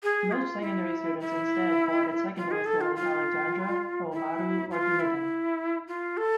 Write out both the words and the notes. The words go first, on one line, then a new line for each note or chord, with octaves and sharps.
Most secondary students instead board at secondary schools in Alexandra, Oamaru or Dunedin.
G#4
F4
E4
E4
F4
G#4
A4
F4
F4
E4
F4
E4
F4
A4